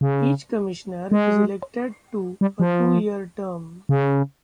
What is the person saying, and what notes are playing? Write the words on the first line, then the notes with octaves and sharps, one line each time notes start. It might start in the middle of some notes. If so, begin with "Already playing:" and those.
Each Commissioner is elected to a two-year term.
C#3
G#3
G3
F3
C#3